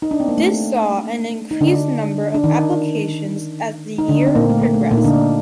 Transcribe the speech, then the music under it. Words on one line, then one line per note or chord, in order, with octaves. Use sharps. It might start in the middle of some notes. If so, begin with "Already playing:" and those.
This saw an increased number of applications as the year progressed.
D#4
D4
C4
A#3
A3
D#4
D3 D4
D4
D#3 D#4
D#4
D3 D4
C4
A#2 A#3
A3
A#3
A3
A#2 A#3
D#4
D3 D4